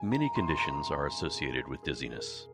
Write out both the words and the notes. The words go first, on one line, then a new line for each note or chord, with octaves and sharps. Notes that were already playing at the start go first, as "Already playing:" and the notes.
Many conditions are associated with dizziness.
Already playing: G#5
A#5
C6
C6
A#5
G#5
G#4
G#4
A#4